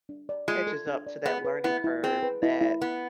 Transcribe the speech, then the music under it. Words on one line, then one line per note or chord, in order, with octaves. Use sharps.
catches up to that learning curve that,
D4
D5
G#3 F4
A4
D4
D5
B3 G#4
B4
B3 E4
E4
C4 G#4
B4
E4
E4
B3 E4